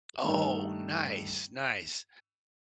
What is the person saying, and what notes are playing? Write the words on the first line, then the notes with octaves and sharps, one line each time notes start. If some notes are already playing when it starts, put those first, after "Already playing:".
Oh, nice, nice.
G2 D#3 A3 D#4